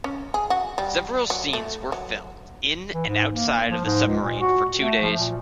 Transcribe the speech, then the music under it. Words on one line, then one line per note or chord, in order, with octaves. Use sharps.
Several scenes were filmed in and outside of the submarine for two days.
C#4
G#4
F#4
G3
F#3
A3
F#3
E3
G#2
A#3
F3
G#2
C#2
A#2
F#4
A3
F3
A#2